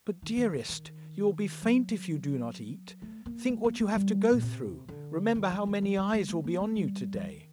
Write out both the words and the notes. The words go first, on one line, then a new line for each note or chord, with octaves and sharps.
'But, dearest, you will be faint if you do not eat; think what you have to go through; remember how many eyes will be on you to-day.'
D#3
D#3
D3
D#3
F#3
A3
A#3
A3
A#3
A3
G3
A#2
C3
D3
D#3
F#3
D#3
F#3
G3
G3
A3
A#3
A3
G3
F#3
D#3